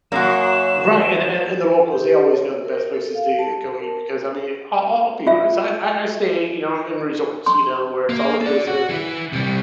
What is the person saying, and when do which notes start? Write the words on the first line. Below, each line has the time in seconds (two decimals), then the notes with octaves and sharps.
Right. And and and the locals, they always know the best places to e go eat because, I mean, I'll I'll be honest. I I I stay, you know, in resorts, you know, where it's all inclusive.
0.12 F#2 A#3 F#4 E7
1.92 G4
2.32 C#5
2.65 A#4
2.94 A4
3.15 F5
3.39 A5
3.80 A#4
5.27 F4 E5
7.46 C6
8.09 A#3
8.41 A4 D5
8.67 F#4
8.89 E3 E4
9.33 C3 G3